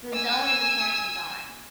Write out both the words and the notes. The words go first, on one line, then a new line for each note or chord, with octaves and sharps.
The Zone is apparently gone.
G#5 E6